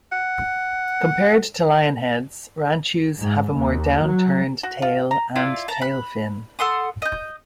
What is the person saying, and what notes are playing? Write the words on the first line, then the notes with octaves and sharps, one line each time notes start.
Compared to lionheads, ranchus have a more downturned tail and tail fin.
F#5
G#2
D#2
F#3
F#4
F4
A#5
E4 F4 D5
A5 A#5
B5 F#6
A4 F#5 C6 D#6
D#5 G6